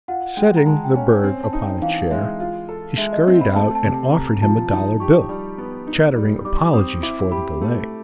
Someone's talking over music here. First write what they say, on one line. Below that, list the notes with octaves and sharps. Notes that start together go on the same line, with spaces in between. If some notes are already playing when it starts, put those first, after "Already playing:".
Setting the berg upon a chair, he scurried out, and offered him a dollar bill, chattering apologies for the delay.
F4 F#5
G#3 G5
A#5
G#3 A5
G5
C#4 G#5
C4 G#5
A5
D#4
G5
E3 F5
G#3 E5
F4
A4
G#3 E5
D#5
C4
B5
A3 A5
A5
C3
A5
C3 A#5
F3 A5
D#4 A5
G4 C#6
G3
B3
D#4
G3
G3 D6
C4 D#6
E4 D6
G4 B5
A3